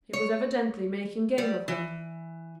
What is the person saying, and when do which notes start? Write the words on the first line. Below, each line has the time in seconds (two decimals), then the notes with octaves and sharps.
He was evidently making game of them.
0.13 C#5
1.38 G3
1.68 E3